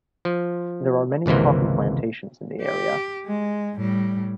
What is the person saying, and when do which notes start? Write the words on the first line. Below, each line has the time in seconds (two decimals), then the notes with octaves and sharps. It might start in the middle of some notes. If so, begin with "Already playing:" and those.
There are many coffee plantations in the area.
0.25 F3
1.26 G#1 C#2 C3 E3 A#3
2.61 G4
3.26 G#3
3.75 A2 G3